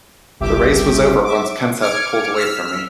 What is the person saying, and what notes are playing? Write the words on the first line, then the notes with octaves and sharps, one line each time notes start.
The race was over once Kenseth pulled away from me.
G1 C2 G4 E5 D6
E5 D6
D6 F6 G#6 C#7 D7
E6 F6 B6